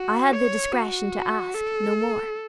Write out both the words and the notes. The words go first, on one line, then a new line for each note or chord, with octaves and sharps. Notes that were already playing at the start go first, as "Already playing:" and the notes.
I had the discretion to ask no more.
Already playing: F#4
C#5
F#4
A4